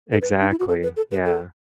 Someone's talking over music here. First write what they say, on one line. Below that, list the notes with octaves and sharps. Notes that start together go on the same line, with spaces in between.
Exactly, yeah.
A4
B4
D4
E4
F#4
A4
B4
A4
B4
A4